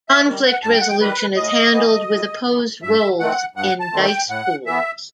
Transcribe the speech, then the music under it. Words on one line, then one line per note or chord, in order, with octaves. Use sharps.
Conflict resolution is handled with opposed rolls in dice pools.
E5
D#3 G3
F#5
G2 A5
G5
F#5
G5
D#3 G3 B4
A2 D#5
E3 B3
A2
E3 B3
G2 E5
D#3 A3 C4 F#5
G2 F#5
A5
D#3 A3 C4
G5
A2 F#5
E3 B3 E5